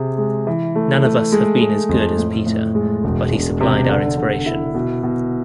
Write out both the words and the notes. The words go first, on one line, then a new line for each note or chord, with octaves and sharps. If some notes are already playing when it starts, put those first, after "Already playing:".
None of us have been as good as Peter, but he supplied our inspiration.
Already playing: C3 G#4
G#3
E3
A3
A3
G#3
G#3
F2
A2
A2
G#3
E1
E1
C3
D3
D3
E4
B2
B2